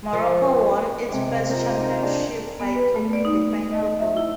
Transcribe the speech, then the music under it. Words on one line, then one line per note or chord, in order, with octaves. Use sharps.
Morocco won its first championship, by topping the final group.
F3 A#4
C3 G#3 G#5 D6
F4 A#4 C5 D#5
D#4
D4 G#4
B3
B4
A3
D5
D#4
D#5
E5
E4